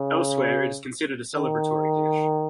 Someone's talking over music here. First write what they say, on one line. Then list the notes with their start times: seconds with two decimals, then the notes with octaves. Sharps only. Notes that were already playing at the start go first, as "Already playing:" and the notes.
Elsewhere, it is considered a celebratory dish.
Already playing: C#3
1.36 D#3